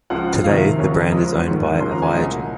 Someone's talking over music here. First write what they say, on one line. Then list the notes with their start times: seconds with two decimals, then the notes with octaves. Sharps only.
Today the brand is owned by Aviagen.
0.10 C#2 C#3 F3 G#3 F#5
0.44 F2 C3 D#3 F#3 F5
0.78 D#2 C#3 F3 C#5
1.12 F2 C#3 F3 G#3 D#5
1.46 G#2 D#3 F#3
1.80 D#2 C#3 F3 G#3 C6
1.91 A#5
2.02 G#5
2.14 C2 A#2 F#3 D#5